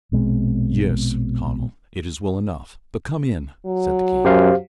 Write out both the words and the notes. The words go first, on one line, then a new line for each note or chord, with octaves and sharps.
"Yes, Conall, it is well enough, but come in," said the king.
A#1 B2 G#3 C4
F#3
F#2 G4 C5 F5